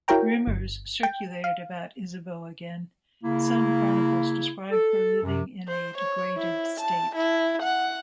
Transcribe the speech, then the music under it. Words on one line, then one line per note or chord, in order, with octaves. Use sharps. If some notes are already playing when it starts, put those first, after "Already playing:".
Rumors circulated about Isabeau again; some chronicles describe her living in a "degraded state".
E4 F#4 A#4 C#5 G5 A#5
G1
G5
F5
C#3 A#3 E4
A4
F#2 C3
C5
C#5
E4
A5
E4
F#5